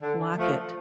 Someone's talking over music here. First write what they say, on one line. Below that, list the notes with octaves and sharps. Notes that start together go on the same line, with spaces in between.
Lock it.
D3
F3 A3